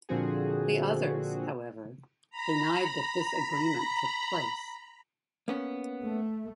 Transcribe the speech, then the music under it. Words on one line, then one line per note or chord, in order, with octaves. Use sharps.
The others, however, denied that this agreement took place.
A#2 D3 F3 C4 F#4 G#4
A#5 B5
A#3 B3 C#4
A3